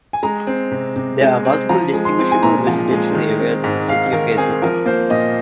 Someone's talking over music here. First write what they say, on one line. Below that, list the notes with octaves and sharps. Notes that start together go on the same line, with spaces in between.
There are multiple distinguishable residential areas in the city of Hazel Park.
G#5
G#3 A#5
C4
C3
C3
G#3
C4
F3 A#5
G#3
C6
C4
G#5
A#2 A#5
F3
G#3
D#3
C4
G#2
G#2 F5
D#3 A#4
C4 G#4
F3 A#4
A#3 C5
A#2 D#5